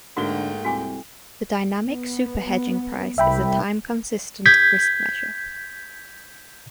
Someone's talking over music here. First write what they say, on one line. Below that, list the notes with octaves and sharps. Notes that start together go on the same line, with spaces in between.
The dynamic superhedging price is a time consistent risk measure.
G#2 D3 A3 A#3 F#4 D5 G5 G7
C2 F#4 G#5 D6
B3
C2 E5 G5 B5
G6 G#6 B6